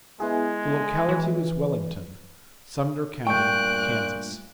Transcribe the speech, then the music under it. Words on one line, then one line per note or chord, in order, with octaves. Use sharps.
The locality was Wellington, Sumner County, Kansas.
G#3 B3 E4 G#4
E3
G2 A#2 A3 G5 C#6 F#6 G6 D7